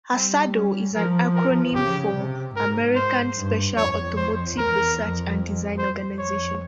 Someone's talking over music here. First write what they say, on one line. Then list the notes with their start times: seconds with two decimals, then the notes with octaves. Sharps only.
"Asardo" is an acronym for "American Special Automotive Research and Design Organization".
0.14 G3 C4
0.54 C#4
0.95 F3 A#4
1.35 A#4
1.75 C#3 G4
2.16 C3
2.56 G#2 A#4
2.96 C5
3.36 G2
3.77 F2 C#5
4.17 C5
4.58 E2 A#4
4.97 F2
5.78 C5
6.19 F2 C#5